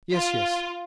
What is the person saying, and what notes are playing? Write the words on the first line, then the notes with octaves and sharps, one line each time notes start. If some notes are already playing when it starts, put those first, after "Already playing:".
Yes, yes.
F4